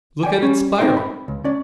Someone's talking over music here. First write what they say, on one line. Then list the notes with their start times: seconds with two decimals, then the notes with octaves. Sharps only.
"Look at its spiral!"
0.23 D5 G5 G#5
0.38 G3 C#4
0.78 C4 D#4 B4 C5 G5 C6
0.97 B5
1.28 C#2
1.44 C#4 D5